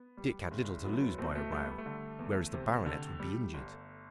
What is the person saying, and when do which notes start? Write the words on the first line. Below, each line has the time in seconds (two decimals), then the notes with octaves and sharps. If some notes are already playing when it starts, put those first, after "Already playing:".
Dick had little to lose by a row, whereas the Baronet would be injured.
Already playing: B3
0.17 G3
0.51 F#1
0.84 F#3 B3
0.93 A3
1.01 B3
1.18 B2 A3 C4
1.35 A3
1.52 G3 A3
1.65 B3
1.78 A3
1.86 D3
2.19 E2
2.53 C3
2.86 D3
3.20 G3
3.54 G1